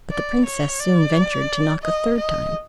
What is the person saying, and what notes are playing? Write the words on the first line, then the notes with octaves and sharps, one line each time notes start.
But the princess soon ventured to knock a third time.
D5
C#5
D5
D#5
D#5